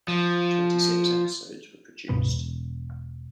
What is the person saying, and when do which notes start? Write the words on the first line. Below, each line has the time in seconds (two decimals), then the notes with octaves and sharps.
Twenty-six episodes were produced.
0.08 F3
2.09 C#2 G2 B2 B3
2.27 E1